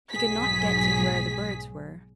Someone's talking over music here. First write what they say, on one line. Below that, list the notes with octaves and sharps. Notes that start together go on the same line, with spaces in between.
He could not get to where the birds were.
B1 G#2 F#3 G#4 B6